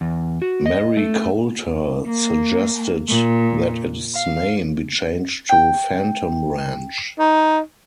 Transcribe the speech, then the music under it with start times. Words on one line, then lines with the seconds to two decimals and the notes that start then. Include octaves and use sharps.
Mary Colter suggested that its name be changed to Phantom Ranch.
0.01 E2
0.42 F#4
0.66 D#5
0.97 A3
2.04 A#3
3.08 A#2
4.14 F5
5.49 G5
7.19 D#4